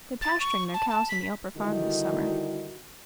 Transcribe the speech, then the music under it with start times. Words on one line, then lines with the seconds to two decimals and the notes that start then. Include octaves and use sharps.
They're pasturing their cows on the upper farm this summer.
0.22 A6
0.40 C#6
0.74 A5
0.90 A5
1.09 B6
1.57 D3 D#3 G3 D#4 E4 F#4